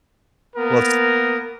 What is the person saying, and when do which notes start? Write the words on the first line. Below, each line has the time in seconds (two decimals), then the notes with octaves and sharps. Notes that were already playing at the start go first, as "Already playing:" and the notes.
Well, s
0.56 A#3 B3 A#4